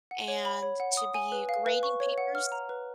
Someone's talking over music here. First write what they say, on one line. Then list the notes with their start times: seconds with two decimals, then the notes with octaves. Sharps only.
and to be grading papers.
0.11 F#5
0.28 C#5
0.45 B5
0.63 C#5
0.80 F#5
0.97 D#6
1.14 G#5
1.32 B4
1.49 F5
1.66 B4
1.83 C#6
2.00 C#5
2.18 F#5
2.35 F6
2.52 A#5
2.69 B4